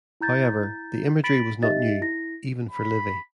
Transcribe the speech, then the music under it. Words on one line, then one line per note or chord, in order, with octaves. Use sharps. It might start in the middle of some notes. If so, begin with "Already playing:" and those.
However, the imagery was not new, even for Livy.
E4 A#5 G6 A6
B5 A6 B6 D7 F#7
D#4 G4 D#5 E5 A6
E4 A#6
B5